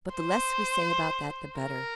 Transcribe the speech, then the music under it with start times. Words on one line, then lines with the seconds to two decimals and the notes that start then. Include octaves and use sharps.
But the less we say about that the better.
0.15 C5
1.60 A#4